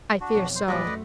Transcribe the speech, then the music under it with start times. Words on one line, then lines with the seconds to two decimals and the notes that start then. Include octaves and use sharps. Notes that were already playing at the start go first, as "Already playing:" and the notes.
"I fear so."
0.21 D4 F#4
0.35 B1 F2
0.55 C5
0.68 A#2 F#3 G3 B4 D5 D#5
0.85 F#2 A3